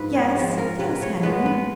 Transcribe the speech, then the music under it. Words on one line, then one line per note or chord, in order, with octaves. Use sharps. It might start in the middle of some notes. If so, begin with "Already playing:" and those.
"Yes--yes, Henry?"
Already playing: G#2 F3 B4
C#5
F3 G#3
A#4
C#3 B4
C#5
G#3 B3 B4
B4